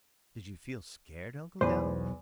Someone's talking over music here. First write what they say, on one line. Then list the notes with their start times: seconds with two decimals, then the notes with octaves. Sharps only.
"Did you feel scared, Uncle Dan'l?"
1.61 B1 E2 B4 C5